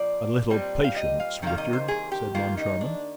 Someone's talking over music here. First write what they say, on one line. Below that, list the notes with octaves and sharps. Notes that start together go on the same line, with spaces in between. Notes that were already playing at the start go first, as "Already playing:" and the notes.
"A little patience, Richard," said Moncharmin.
Already playing: A#2 F3 D5
A#2 G3 C4
F5
D#5
F5
C3 D#3 G3 A#3 F5
D#5
C5
G#4
G4
D#3 A#3 F4
D#4
D4